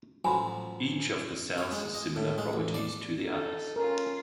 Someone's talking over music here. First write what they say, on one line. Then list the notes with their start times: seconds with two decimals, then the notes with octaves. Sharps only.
Each of the cells has similar properties to the others.
0.25 A1 F3 F#3 G#5 B5 C6
1.58 C#5
1.72 G#3
1.95 D#5
2.17 A2
2.38 G#3
2.53 A1
2.74 D5
3.25 D#4 A4
3.76 C#4 F4 A#4